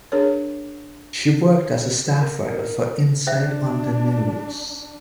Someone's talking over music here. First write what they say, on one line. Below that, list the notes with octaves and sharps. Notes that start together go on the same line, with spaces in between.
She worked as a staff writer for "Insight on the News".
D4 G#4 A#4 C#5
A#4
D4 C5 E5